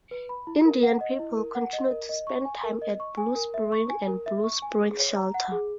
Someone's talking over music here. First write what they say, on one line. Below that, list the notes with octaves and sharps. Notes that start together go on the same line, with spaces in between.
Indian people continue to spend time at Blue Spring and Blue Spring Shelter.
B4
B5
E4
A#4
F#5
D#5
E4
A#4
F#5
D#5
A#4
D#5
C#6
G#5
A#4
D#5
C#6
G#5
A#4
E5
C#6
G#5
A#4
E5
C#6
G#5
G#4
C#5
A#5
F#5
G#4